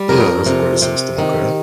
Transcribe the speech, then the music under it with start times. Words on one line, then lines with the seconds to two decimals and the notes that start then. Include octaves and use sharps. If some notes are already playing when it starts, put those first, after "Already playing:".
Yeah, that's a great system, okay.
Already playing: G3
0.09 F2 A#4
0.46 C3
0.82 C3
1.19 D#3